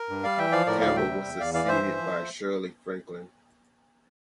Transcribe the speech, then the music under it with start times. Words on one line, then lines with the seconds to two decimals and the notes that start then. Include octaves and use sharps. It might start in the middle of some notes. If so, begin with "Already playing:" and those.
Campbell was succeeded by Shirley Franklin.
Already playing: A#4
0.09 G2
0.23 G3 D5 F5
0.38 E3 E5 G5
0.52 F3 D5 F5
0.66 A2 A#4 D5
0.81 D2 D5 F5
0.96 C3 E5 G5
1.11 G3
1.25 E2
1.39 E2 D5 F5
1.54 E3 D5 F5
1.68 G2 C5 E5
1.83 E3
1.97 F3